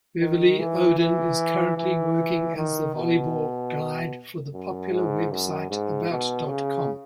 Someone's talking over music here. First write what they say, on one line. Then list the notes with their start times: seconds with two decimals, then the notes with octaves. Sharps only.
Beverly Oden is currently working as the Volleyball Guide for the popular website About.com.
0.20 D#3
0.60 E3
0.99 E3
1.78 E3
2.56 D#3
2.96 B2
4.53 F#2
4.92 G#2
5.32 F#2
5.71 G#2
6.11 B2
6.49 C#3